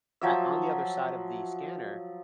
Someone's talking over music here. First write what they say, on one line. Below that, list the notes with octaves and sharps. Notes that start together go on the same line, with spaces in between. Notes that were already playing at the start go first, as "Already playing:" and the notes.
at on the other side of the scanner,
F3 F#3 E5